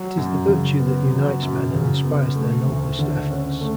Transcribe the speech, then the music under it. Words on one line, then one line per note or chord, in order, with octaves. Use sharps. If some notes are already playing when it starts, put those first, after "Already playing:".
It is the virtue that unites men and inspires their noblest efforts.
Already playing: F#3
F#2
C#3
B3
F#3
F#2
C#3
B3
A3
D2
D3
C#4
A3